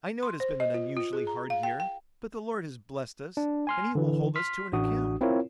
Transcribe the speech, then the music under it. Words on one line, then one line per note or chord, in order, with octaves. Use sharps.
I know it has been an unusually hard year but the Lord has blessed us and He will hold us to an account.
C6
C5
D#5
F4
F4
G#4
A#5
F5
G5
G5
D4
G#5 C6 F6
D3 E3
C6 F6 B6
A1 D4 F#4 D#6
C4 E4 F4 A#4 C#5